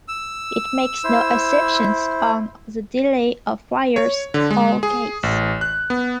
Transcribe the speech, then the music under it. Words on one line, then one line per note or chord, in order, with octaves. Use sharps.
It makes no assumptions on the delay of wires or gates.
E6
E4 C5
C#5
D3
G#3
G#4
A1
F#6
B3